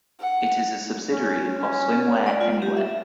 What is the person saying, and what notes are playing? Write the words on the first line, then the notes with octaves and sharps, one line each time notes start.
It is a subsidiary of Swimwear Anywhere.
F#5
C#4
C#4
D5
F4
G4
E5